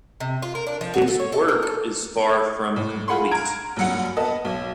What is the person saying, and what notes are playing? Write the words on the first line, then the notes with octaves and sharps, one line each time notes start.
His work is far from complete.
C3
F4
A#4
D4
F3
F#4
A4
C#5
A4
A#3
A4
A2
F4 G#4 F#5 B5 C6
A#5 F6 G#6 D7
A#1 G2 F#3 F#5 C#7
B3 D#5 A5
B1